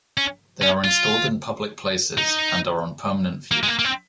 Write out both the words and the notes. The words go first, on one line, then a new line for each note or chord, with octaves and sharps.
They are installed in public places and are on permanent view.
C#4
C#4
F4
D#4
A#3
G#3
A#3
A#3
C4